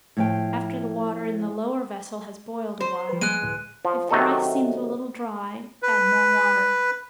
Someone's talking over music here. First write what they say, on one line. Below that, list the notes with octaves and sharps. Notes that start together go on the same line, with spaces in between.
After the water in the lower vessel has boiled a while, if the rice seems a little dry, add more water.
A2 F3 G5
C5
F3 B4
G3 G#3 A#3 F#6 D#7
D2 A2
F3
C3 D#3 F#3 A3 D#4 A4
B4